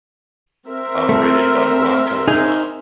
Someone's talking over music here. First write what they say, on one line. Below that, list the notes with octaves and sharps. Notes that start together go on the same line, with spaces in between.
Operated by Maroc Telecom.
C4 A#4 E5
A3
D#4 G#4